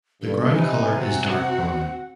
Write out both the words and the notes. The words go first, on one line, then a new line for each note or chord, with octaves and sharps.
The ground colour is dark brown.
G2 A4
C3 D#4 B4 G#5
C4 F#4
F#5